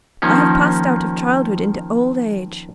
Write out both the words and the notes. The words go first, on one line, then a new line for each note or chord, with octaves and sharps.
I have passed out of childhood into old age.
D#3 F3 A#3 C#4